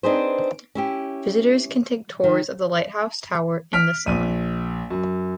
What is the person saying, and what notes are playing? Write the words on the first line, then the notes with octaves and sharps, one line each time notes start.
Visitors can take tours of the lighthouse tower in the summer.
C4 D4 D#4 G#4 B4 C5
C#4 E4 G4
D#3
F6 B6 D7
A#1 D#7
F#2